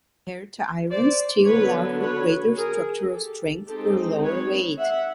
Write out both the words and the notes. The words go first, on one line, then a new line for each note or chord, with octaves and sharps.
Compared to iron, steel allowed for greater structural strength for a lower weight.
C5 D5
D3 F#3 B3 B4 C#5
B4 C#5
G#4 A#4
G4 A4
G#3 C4 D#4 G4 A4
B4 C#5
E5 F#5